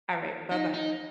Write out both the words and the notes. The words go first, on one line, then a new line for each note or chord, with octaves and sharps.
All right, bye-bye.
D#4
D#4